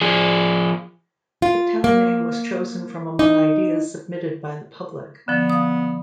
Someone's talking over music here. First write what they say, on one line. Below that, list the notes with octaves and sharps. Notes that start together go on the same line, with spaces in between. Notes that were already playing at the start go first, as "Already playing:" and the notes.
The town name was chosen from among ideas submitted by the public.
F3 G#4
F4
A#3
D#4
D3 F3 B3
F5 D#6